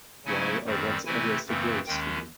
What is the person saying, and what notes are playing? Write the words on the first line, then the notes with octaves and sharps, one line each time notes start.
Why, I once addressed a girls' school.
C#3 F#3 A3 C#4 E4 G#5
F#2 D#3 G3 C4
C3 E3 A3 C4 E4 G#5
F#2 C#3 E3 A3 C4
D#2 D#3 G#3 C#4 G5